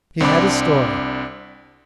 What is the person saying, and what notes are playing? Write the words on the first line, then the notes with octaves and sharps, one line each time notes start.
He had his story.
C2 C4 D4 B5 D6